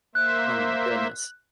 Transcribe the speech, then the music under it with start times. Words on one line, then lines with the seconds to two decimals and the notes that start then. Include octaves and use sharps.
Oh my goodness.
0.15 A#3 C5 E5 F#6